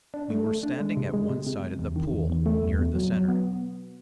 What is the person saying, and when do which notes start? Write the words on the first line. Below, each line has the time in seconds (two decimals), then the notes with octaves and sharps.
We were standing at one side of the pool, near the center.
0.14 D4
0.30 A3
0.47 A3
0.63 D4
0.80 G#3
0.97 C3
1.14 G#3
1.29 C3
1.47 C3
1.63 C3
1.79 E2
1.96 D#3
2.13 E2
2.30 E2
2.46 A3
2.63 E2
2.79 B2
2.95 F#3
3.12 F#3
3.28 B3